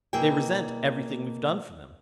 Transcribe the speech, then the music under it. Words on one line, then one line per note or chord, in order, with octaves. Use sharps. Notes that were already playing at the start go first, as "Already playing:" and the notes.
"They resent everything we've done for them."
B2 A#3 E4 G#4 G5